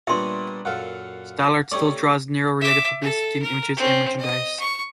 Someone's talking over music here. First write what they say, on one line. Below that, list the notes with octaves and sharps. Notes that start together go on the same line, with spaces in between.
Stallaert still draws "Nero"-related publicity images and merchandise.
A#2 G3 B3 D4 C#5 E5 C6
F#2 A#2 A4 F5 F#5
A3 C#4 D#4 G4 C#5 D5
E5 D6
A4
A#4
C4 C#4
D#5
C#6